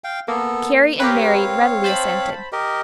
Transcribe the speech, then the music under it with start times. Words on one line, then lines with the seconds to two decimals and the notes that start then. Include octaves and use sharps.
Carry and Mary readily assented.
0.04 F5 G5
0.28 A#3 B3 A4
1.00 C4 G4 A#4 B4 C#5 F5
1.84 C5 A5 B5
2.52 G4 A#4 D#5